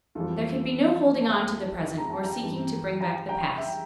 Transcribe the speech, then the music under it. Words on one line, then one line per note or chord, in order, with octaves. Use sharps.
There can be no holding on to the present nor seeking to bring back the past.
F2 E3 G3 F4 A4
A5
E5 G5
A#5
A5
G5 A#5
G2 E3 G3
G5 A#5
G5 A#5
E5 G5